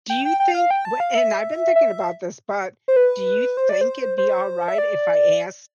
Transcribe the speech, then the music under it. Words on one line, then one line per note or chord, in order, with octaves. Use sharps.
do you think wh and I've been thinking about this, but do you think it'd be alright if I asked
G5
G5
G5
F5
G5
A5
F5
E5
E5
C5
B4
C5
D5
C5
C5
E5
D5